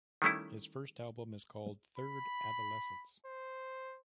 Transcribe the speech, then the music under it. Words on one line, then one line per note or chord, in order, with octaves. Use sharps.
His first album is called Third Adolescence.
D#3 G3 A3 C#4 E4
B5
C5